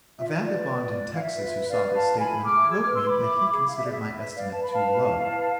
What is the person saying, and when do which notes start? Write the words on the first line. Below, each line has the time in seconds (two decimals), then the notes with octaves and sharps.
A vagabond in Texas who saw this statement wrote me that he considered my estimate too low.
0.18 F4 E5
0.27 D5
0.35 F4
0.44 D5
0.51 B4
0.68 B4
0.85 F4
1.02 F4
1.15 F5
1.18 F4 E5
1.35 B4
1.52 B4
1.68 B4 D5 F5
1.85 B4
1.93 F5 A5
2.02 F4
2.18 E4 G#5 B5
2.35 G#4
2.44 D6 F6
2.52 E4
2.68 G#4 E6 G#6
2.81 B4 D6 F6
2.93 C6 E6
3.01 B4 B5 D6
3.19 E4
3.35 E4
3.52 G#4
3.68 E4 F5
3.75 E5
3.83 D5
3.85 G#4 E5
4.02 E4
4.18 B4 E5
4.35 B4 D5 F5
4.51 B4 A5
4.62 B5
4.69 B4 F5 A5
4.85 B4
5.02 E4
5.19 E4
5.35 B4